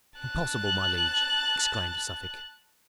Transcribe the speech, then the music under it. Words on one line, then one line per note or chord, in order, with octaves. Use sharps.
"Impossible, my liege?" exclaimed Suffolk.
A5 F#6